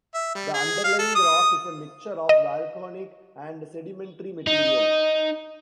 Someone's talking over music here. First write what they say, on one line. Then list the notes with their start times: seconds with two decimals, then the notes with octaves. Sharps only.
The underlying rock is a mixture of volcanic and sedimentary material.
0.14 E5
0.35 G3
0.54 G#4
0.84 F5
0.99 A4
1.15 D#6
2.29 D#5
4.47 D#4